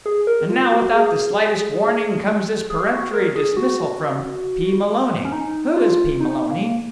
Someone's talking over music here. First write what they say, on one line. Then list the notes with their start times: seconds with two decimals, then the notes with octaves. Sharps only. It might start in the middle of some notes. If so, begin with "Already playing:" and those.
And now, without the slightest warning, comes this peremptory dismissal from P. Maloney. Who is P. Maloney?
0.06 G#4
0.27 A#4
0.49 F4
0.72 F#4
0.93 G#4
2.70 G#4
2.92 F#4
3.13 A#4
3.36 G#4
3.57 F#4
5.25 C#4
5.32 D#4
5.77 F4
6.20 D#4
6.50 A#3